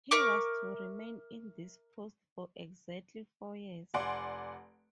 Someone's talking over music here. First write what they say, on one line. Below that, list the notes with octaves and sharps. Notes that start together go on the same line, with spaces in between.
He was to remain in this post for exactly four years.
A#4 E5 C#6 D6
F1 D5 F#5 G#5 C6 D7